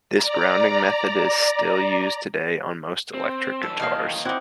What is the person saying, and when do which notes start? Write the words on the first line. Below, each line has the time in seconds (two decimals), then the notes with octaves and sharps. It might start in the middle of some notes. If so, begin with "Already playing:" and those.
This grounding method is still used today on most electric guitars.
0.12 D5 A#5
3.14 C4
3.63 B1 E3 A4 A5
3.80 D#3 A#3 G#4 F6
4.25 C4 D#4 E4 F#5 D6